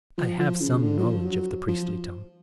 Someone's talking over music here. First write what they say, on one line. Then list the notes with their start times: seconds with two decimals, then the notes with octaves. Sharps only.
"I have some knowledge of the priestly tongue."
0.18 F3
0.40 F3
0.60 C#3
0.82 D3
0.98 F#3
1.03 F3
1.25 F#3
1.68 F3